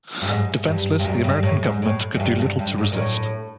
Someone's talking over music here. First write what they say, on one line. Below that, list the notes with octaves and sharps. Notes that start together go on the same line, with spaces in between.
Defenseless, the American government could do little to resist.
G2
G#2
G2
G2
F#2
G2
A2
G#2
A2
F#2
G2
G2
G2
G#2
A#2
A2